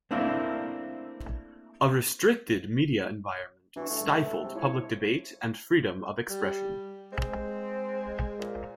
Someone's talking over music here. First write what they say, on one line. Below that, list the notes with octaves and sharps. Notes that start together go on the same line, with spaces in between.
A restricted media environment stifled public debate and freedom of expression.
A3 A#3 C4 D4 E4 A#4
E3 D4 F#4
A3
G3 G#3 A4
B4
C3
F3 E4 C#5
G3
G#3 C4
A#2